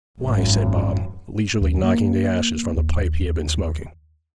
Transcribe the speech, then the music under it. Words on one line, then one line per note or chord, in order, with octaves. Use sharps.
'Why?' said Bob, leisurely knocking the ashes from the pipe he had been smoking.
G#1 F#2
D#2
A#3
D#2